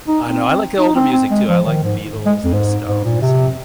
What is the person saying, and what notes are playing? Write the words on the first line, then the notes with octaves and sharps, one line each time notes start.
I know. I like the older music too. I like the Beatles and the Stones and,
D#4
C4
D#4
C4
C4
G#3
F3
D#3
G#2
G#3
F2
G#2
G#2
A#2
C3